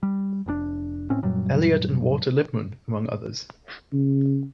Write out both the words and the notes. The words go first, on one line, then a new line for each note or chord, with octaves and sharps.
Eliot and Walter Lippmann, among others.
G3
F1 A#2 D4
A2 C4 C#4
F#2 A#2 F#3 G3
C#3